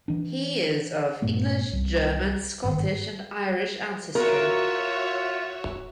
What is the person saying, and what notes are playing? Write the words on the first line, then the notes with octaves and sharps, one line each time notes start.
He is of English, German, Scottish, and Irish ancestry.
E3 D4
G2 A#2 A3 B3
C2
G1 G#2 D#3
F4 F#4 A#4 C#5 E5